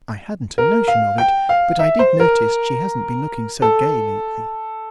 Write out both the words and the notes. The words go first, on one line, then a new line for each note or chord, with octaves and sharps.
"I hadn't a notion of it, but I did notice she hasn't been looking so gay lately."
A#4
F5
G5
F5
E5
C5
A#4
A4